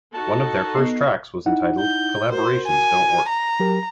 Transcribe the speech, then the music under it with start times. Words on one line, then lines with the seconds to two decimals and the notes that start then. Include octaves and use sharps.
One of their first tracks was entitled "Collaborations Don't Work".
0.14 D#4 F#4 A4 A5
0.75 B3 D#5 C7
1.46 D#4 E4 F#5
1.80 G6
2.32 F#4 A#4 C5
2.67 G#5
3.29 A#5
3.60 F#3 G4 A#4